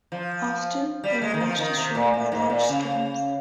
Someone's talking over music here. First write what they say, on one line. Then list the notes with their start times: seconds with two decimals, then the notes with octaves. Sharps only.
Often, they are washed ashore by large storms.
0.12 F3
1.04 G3
1.22 G#3
1.34 D#3
1.40 F3
1.59 D#3
1.77 C3
1.95 A#2
2.14 A#2
2.32 G#2
2.50 A#2
2.69 C#3